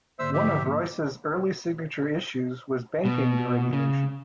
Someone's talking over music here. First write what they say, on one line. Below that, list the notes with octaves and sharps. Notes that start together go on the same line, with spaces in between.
One of Royce's early signature issues was banking deregulation.
G#2 D3 A#3 C5 E5 E6
F3 E4 G4 C5 E5
A#3 C6 D6
B2
C#3